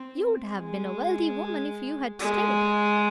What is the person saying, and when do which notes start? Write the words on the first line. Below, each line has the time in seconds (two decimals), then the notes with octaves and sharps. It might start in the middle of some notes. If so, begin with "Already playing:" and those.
You would have been a wealthy woman if you had stayed.
Already playing: C4
0.58 G#3
2.19 G#3